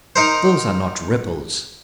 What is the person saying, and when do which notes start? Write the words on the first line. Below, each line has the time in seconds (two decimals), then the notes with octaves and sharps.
Those are not ripples.
0.16 D#4 A#4 C5